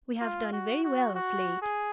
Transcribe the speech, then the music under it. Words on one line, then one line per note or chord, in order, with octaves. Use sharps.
We have done very well of late.
F4
F#4
F#4
F#4
G#4